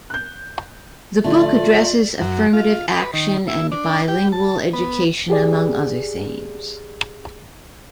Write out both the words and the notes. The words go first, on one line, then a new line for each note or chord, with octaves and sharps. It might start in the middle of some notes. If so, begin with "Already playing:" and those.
The book addresses affirmative action and bilingual education, among other themes.
F#6 G6
A2 D3 F3 A3 F4 D5
F#2
F4
B4
D#3
E4
D4
G4
A5
B3
G4 G#4 D5